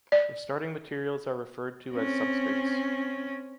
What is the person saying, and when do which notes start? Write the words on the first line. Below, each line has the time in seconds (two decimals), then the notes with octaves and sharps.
The starting materials are referred to as substrates.
0.12 D5
1.92 C4 C#4